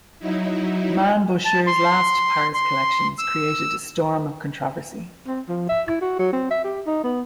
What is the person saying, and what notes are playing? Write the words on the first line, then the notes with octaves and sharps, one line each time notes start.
Mainbocher's last Paris collections created a storm of controversy.
F#3 D#4 E4
A5
C6
C6
E6
C4
F3
E5
E4
F#4
F#3
C4
E5
G4
D#4
B3